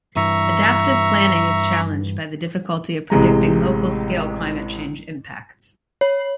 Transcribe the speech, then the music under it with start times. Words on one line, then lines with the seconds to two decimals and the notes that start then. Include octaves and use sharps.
Adaptive planning is challenged by the difficulty of predicting local scale climate change impacts.
0.16 G2 E3 E5 A#5 C#6
3.10 A1 C3 G#3 A#5
6.01 C#5